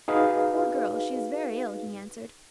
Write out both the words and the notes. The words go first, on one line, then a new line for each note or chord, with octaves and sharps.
"Poor girl, she is very ill," he answered.
D#4 F#4 G#4 B4 F5